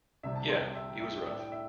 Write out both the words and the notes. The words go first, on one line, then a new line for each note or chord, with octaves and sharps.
Yeah, it was rough.
C2 C3 G3 C4 E5
A5
C6
G5
E5
G5
E5
G5
A2 A3 D4 E5
G5
E5